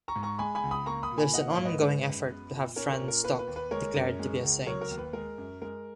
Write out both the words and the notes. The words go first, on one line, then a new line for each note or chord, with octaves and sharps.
There is an ongoing effort to have Franz Stock declared to be a saint.
A#5 C#6
G#2
A#5 C#6
G#3 G#5 B5
G#5 B5
C#2
B5 D#6
A#3 A#5 C#6
B5 D#6
A#2
G#5 B5
A#3 D#5 F#5
C#5 F5
G#2
B4 D#5
G#3 B4
F#2
B3
A#2
C#4 A#4 C#5
A#4 C#5
A#2
A#4
A#3 B4
B4
D#2
B4
G#3 A#4 C#5
F#2
G#3
C#2
F#3 A#4 C#5
A#4
D#2
B4
G#3 A#4
F#2
G#3 A#4